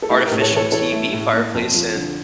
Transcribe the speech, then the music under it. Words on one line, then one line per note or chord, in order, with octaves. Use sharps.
artificial, TV fireplace and
A4
A3 E4 G4
G4 A#4
A2
A4 C#5
E3
A4 C#5
E3 A4 C#5
A3
A2
A#3
F2
F3
D3